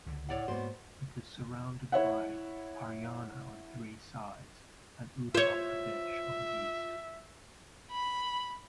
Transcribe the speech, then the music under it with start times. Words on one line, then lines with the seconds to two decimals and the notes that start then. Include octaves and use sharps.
It is surrounded by Haryana on three sides and Uttar Pradesh on the east.
0.06 C#2 D3
0.29 A2 C#5 D5 F#5
0.48 G#2 A#3 B3 F#4 C5
1.92 E4 C#5 E5 F#5
5.35 F4 C5 C#5 E5
7.92 B5